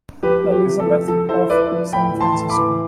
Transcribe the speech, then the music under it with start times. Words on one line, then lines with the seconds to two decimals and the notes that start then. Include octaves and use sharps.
Elizabeth of San Francisco.
0.23 F3 G4 B4
0.44 F3
0.51 G4
0.66 C3
0.80 A4
0.86 F3
1.08 F3 A4
1.29 E4 A4 C5
1.50 E4 B4 D5
1.71 F3
1.92 A2 G5 B5
2.14 E3
2.20 A5 C6
2.35 A2
2.49 B5 D6
2.57 E3